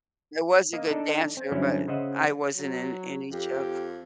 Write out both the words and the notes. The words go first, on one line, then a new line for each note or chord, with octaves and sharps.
I was a good dancer, but I wasn't in any show.
A#3 D#5
D4 D#4 A4 D5
C4
G2 D3 F#3 C4 C#4 E4
C#3 C5 D#5 E5 F#5
F#3
F2 G4